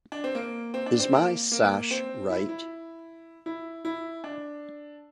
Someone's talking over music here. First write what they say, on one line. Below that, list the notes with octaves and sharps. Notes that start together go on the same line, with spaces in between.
Is my sash right?
D4
C4
A#3
C4
D4
C4
A#3
A#3
C4
E4
E4
E4
E4
D4